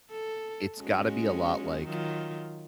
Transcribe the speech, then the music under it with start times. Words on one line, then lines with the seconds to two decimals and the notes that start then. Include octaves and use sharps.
it's gotta be a lot like
0.11 A4
0.78 G#3 C#4 F#4
1.84 D#3 F#3 F4